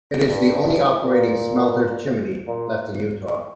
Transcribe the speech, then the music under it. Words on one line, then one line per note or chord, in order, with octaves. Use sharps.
It is the only operating smelter chimney left in Utah.
G2
A#2
A#2